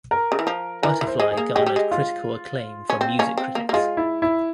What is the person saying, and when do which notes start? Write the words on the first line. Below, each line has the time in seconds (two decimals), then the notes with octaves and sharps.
"Butterfly" garnered critical acclaim from music critics.
0.11 A#4
0.32 C#3
0.39 E3
0.47 F3
0.83 E3 A#4
1.01 E3
1.07 C5
1.20 G#3
1.32 G#4
1.37 A#3
1.55 G#3 G4
1.66 G3
1.76 G#3
1.91 F4
2.90 C#4
3.01 C4
3.19 A#3 C#4
3.38 C4
3.55 A#3
3.69 A#3
3.73 G#3 F4
3.97 E4
4.22 E4